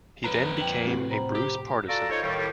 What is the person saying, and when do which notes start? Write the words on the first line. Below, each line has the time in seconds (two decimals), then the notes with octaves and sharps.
He then became a Bruce partisan.
0.24 F2 B4 A#5
0.57 G5 F#7
0.86 A2 C3 F#4
1.10 C5 A#5 B5
1.35 G4
1.88 F4 F#4 A4 D5 A5 A#5
2.09 D#4 F4 A4 C5 C#5
2.23 A2 D#3 G3